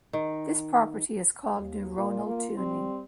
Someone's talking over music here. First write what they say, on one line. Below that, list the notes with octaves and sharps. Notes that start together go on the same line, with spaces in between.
This property is called "neuronal tuning".
D#3
D#2
A#2 F4
A#3
G3 C4